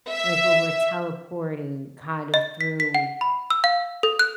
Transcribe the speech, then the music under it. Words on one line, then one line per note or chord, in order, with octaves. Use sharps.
Like, where we're teleporting kind of through
E5
D#5
B6
B6
F#5
B5
E6
F5
A4
F#6